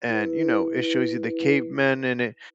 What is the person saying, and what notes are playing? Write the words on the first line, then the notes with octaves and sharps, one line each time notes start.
and, you know, it shows you the cavemen and it
E4 B4